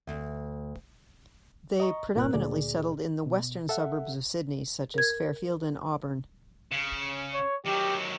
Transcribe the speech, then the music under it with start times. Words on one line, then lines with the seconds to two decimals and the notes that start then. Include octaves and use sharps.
They predominately settled in the western suburbs of Sydney, such as Fairfield and Auburn.
0.07 D2
1.80 D#5 A#5 C#6
2.15 G2 A#2 A#4 F#6
2.34 D2 A#2 G#4 D5
3.26 B2
3.69 A4 E5 F#5
4.94 A#4 G#6
6.72 C#3
7.34 C#5
7.66 D#3 F#3 G4